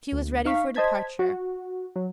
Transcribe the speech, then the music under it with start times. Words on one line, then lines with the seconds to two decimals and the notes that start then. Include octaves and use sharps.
She was ready for departure.
0.12 D2
0.45 D#4 F5 C#6 B6
0.75 C5 D#5 A5 G#6 B6
1.19 F#4
1.96 F#3